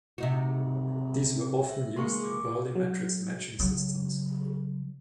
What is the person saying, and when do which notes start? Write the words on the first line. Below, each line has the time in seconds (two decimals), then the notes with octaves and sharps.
These were often used in early matrix-matching systems.
0.18 C3 D#4 F#4
1.69 E5
1.96 E2 G#3 A#3 C6 C#6 C#7
2.20 G#4 D6
2.76 F#3
3.60 C#3 F#3